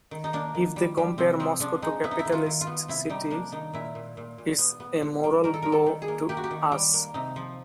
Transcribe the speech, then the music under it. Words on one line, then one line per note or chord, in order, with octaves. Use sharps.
If they compare Moscow to capitalist cities, it's a moral blow to us.
D#3
D#4
A#3 D4
D#3
G3
G3
C3 C4
F3 C4
F3 D4
G#3 D#4
B3 E4
D#4
E4
D#3
F4
D#3
F4
B3
C3 E4
G3 D#4
A#3 D4
D#3 D#4
A#2 E4
A#2
A#2
A#2
B3
B3
D3
G3
D#3 A#4
A4
G3 A#4
A4
D#3
G#4
A#3
A#3 G4
F#4
G4
D#3
G3
A#3
C3 D#4
F3